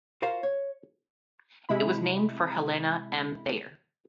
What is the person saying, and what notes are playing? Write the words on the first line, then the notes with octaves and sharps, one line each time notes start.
It was named for Helena M. Thayer.
F4 F#4 A#4 C5 F5
C#5
C3 G#3 E4 B5